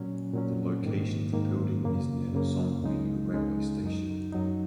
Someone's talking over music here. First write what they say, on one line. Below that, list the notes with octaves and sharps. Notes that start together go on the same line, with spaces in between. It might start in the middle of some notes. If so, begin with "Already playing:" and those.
The location of the building is near Zhongli railway station.
Already playing: A#2 F#3 C#4
A#2 F#3 C#4
G#2 D#3 A#3
G#2 D#3 A#3
F#2 C#3 A#3
F#2 C#3 A#3
C#2 C#3 G#3 D#4
C#2 C#3 G#3 D#4
F#2 F#3 D#4
F#2 F#3 D#4